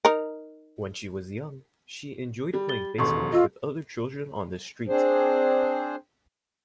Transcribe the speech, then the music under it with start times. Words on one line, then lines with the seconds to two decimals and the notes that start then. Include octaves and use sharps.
When she was young, she enjoyed playing baseball with other children on the street.
0.05 D#4 A#4
2.53 G3
2.69 A6 G7
2.98 E1 A1 D#2 A4 C6 C#6
3.33 F4 D#5 E6
4.88 C4 D4 G#4 C5